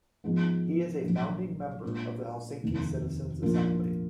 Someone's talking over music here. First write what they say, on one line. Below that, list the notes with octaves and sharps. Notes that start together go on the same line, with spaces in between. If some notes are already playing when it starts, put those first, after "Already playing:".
He is a founding member of the Helsinki Citizens Assembly.
G#2 F3 G#3 B3
A#1 G#2 F#3
A#2 G#3 D4 F4
F1 D#2 D#3 G#3
A#1 G#2 F3 A#3 F4